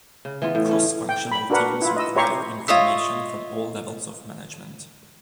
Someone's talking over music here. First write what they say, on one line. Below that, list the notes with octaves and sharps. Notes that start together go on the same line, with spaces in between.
Cross-functional teams require information from all levels of management.
C#3
E3 B3 F4
A2
A3 C#4
G5
B5
D4 F#4 A#4 B4 F#5
E4 F4
D#5 E6
G4 C#5 E5 A#5 C6 C#6
F4 C#5 D#5 E5